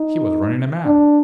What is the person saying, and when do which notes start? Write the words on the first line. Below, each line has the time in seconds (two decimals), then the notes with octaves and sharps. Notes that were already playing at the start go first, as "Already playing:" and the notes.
He was running a man!
Already playing: D#4
0.86 D4